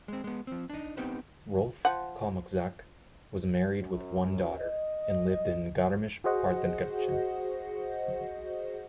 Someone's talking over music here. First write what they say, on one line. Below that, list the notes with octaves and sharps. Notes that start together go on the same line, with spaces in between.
Rolf Kalmuczak was married with one daughter and lived in Garmisch-Partenkirchen.
G#3 C4
G#3 B3
F3 C4
D4 D#4
B3 C4 D#4 G4 B4 C5
F3 F#5
F#2
D#5
F#4 G#4 C5 D#5 F#5